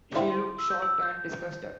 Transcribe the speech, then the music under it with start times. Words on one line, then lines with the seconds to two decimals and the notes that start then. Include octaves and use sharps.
She looks shocked and disgusted.
0.15 D3 C4 E4 C6
0.59 E6
0.70 G6
0.82 E6
1.03 G6